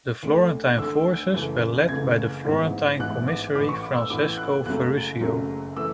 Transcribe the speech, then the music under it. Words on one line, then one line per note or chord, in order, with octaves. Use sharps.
The Florentine forces were led by the florentine commissary Francesco Ferruccio.
D2 D3 A3
D2 D3 A3 E6
F#1 F#2 C#3 E3 A3
F#1 F#2 C#3 E3 A3 G#6
A1 G#2 E3 B3 E4
A1 G#2 E3 B3 E4 F#6
D6
A1 A2 E3 D6
C#6
D6
E6
A1 A2 E3 D6
F#6
F#1 F#2 C#3 F#3 A3 F#6
F#1 F#2 C#3 F#3 A3
E3 A3 E6